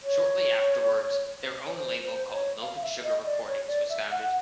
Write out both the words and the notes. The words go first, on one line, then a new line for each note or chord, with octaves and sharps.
Shortly afterwards, their own label called Milk and Sugar Recordings was founded.
C#5
C#5
C5
C5
C#5
F5
E5
D#5
D5
C#5
D5
E5
F#5